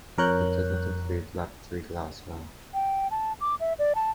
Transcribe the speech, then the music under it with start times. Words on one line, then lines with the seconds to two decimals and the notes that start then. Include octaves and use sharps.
It does not include laboratory glassware.
0.18 F2 A#4 C#5 F#6 G6
2.74 G5
3.11 A5
3.41 D6
3.60 E5
3.79 D5
3.95 A5